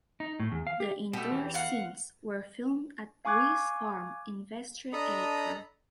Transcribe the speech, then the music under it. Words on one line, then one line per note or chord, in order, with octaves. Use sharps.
The indoor scenes were filmed at Riis farm in Vestre Aker.
D#4
A2
E2
F5
G4
B2 A3 G4
E2 E3
F5 F#5
F5 G#5 C#6 D6 F#6 G#6
D4 A4 D#5 A#5 B5 D#6